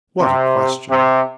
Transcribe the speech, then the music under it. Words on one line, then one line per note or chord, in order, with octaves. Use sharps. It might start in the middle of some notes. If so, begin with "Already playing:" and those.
"What a question!"
C3
C3